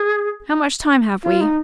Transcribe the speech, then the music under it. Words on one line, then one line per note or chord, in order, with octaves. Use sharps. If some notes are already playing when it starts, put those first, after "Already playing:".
"How much time have we?"
Already playing: G#4
F4
D#4